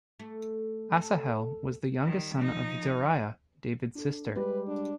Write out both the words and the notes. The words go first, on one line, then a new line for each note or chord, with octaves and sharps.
Asahel was the youngest son of Zeruiah, David's sister.
A3
A4
D#3 G3
F3 D#4
D4 A4
G3 G#3 B4
D4